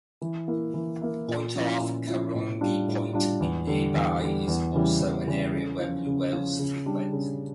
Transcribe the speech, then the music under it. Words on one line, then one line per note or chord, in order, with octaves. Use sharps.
Point off Kahurangi Point in nearby is also an area where blue whales frequent.
E3
A#3 E4
E3
A#3 E4
A#2
F3 C#4 E4
A#2
F3 C#4 E4
A2
G3 D4 F4
A2
G3 D4 F4
E2
D3 G3
E2
D3 G3
E2
C#3 E3 G3
E2
C#3 E3 G3
C#3
F3 C#4 F4
C#3
F3 C#4 F4
C#3
G3 D4
C#3